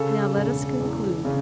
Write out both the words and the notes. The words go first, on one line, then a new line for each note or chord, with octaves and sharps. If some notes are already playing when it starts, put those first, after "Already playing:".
Now let us conclude.
Already playing: C#3 A4
E1
E2
C#3